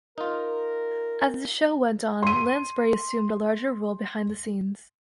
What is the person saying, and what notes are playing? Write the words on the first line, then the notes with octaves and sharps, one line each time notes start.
As the show went on, Lansbury assumed a larger role behind the scenes.
D#4 F4 A#4
C6 D#7